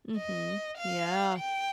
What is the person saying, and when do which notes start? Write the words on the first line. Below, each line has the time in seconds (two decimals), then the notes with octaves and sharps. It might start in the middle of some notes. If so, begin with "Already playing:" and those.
Mhm. Yeah.
0.16 D#5
0.77 F5
1.39 G5